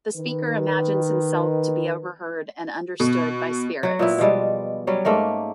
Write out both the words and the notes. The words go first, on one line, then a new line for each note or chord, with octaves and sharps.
The speaker imagines himself to be overheard and understood by spirits.
D#3 B4
B2
F#3 F#4
A#2 B3 E4
B2 F3 G3 G#3
F#3 G3 C#4
G#2 A3 A#3 A#4